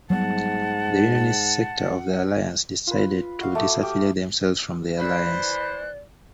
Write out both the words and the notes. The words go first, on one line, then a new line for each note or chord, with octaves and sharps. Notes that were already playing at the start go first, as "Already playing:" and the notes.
The Unionist sector of the alliance, decided to disaffiliate themselves from the Alliance.
G#2 F#3 G3 B3 F#5 A5
F4 B4
F#4 F5
A3 D6 D#6
G4
E3 C5 D5 B5 F#6